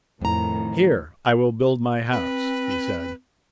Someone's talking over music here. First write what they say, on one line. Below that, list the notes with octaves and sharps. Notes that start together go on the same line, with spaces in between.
"Here I will build my house," he said.
F2 A2 D#3 A#5
C4 B4